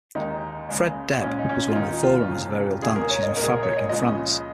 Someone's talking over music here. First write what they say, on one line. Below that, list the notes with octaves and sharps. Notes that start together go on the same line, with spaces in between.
Fred Deb was one of the forerunners of aerial dance using fabric in France.
D#2 D#3 G#3 D#4
C#2 C#3 G#3
A#1 A#2 G#3 C#4
D#4
C#4
F4
D#2 D#3 G#3 D#4
F4
F1 F2 C#3
F1 D#2 C#3 G#3 G#4
A#4
C#5
D#5
A#1 A#2 G#3 A#4
G#4
A#4
C#5
D#5
C#2 C#3 F3 G#3 D#5